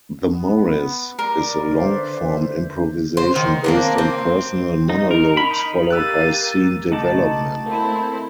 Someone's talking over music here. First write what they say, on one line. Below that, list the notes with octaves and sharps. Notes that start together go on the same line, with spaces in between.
"The Morris" is long-form improvisation based on personal monologues followed by scene development.
B3
A#4 D5
D3 B4 C5 E5
G6
C5
D#3
A#3 C4 D4
C4
D#4
A#4
B5
D#4
A#3 G4 E6 F#6 A6 D#7
B1 C#3 A3 D#4 F#4 A5 D6
A#3 C4 E4 A4